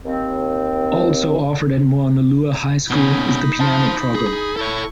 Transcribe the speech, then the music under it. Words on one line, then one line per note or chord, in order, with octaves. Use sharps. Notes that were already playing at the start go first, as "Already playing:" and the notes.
Also offered at Moanalua High School is the Piano program.
D#2 C4
B2 C#4 D#4 B5
C5 A5
G#4
E4 A4 C#5 C#6